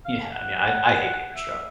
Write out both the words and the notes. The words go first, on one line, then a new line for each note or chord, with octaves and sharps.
Yeah, I mean, I I hate paper straws.
F5
F#5
E5